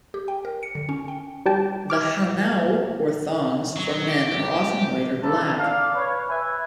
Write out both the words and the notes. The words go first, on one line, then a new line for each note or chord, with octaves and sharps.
The "hanao", or thongs, for men are often white or black.
G4
G5
A#4
C#7
D3
C#4
G5
G3 G4 G5 A5
D6 F6 G#6
F#3
G4
F4 A4 C5 D5 A5 A#5
A4 D5 F5
B4 C#5
B4 E5 G#5